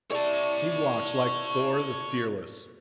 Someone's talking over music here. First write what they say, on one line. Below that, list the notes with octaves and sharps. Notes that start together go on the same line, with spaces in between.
"He walks like Thor the Fearless."
C3 E4 C#5 D5 A5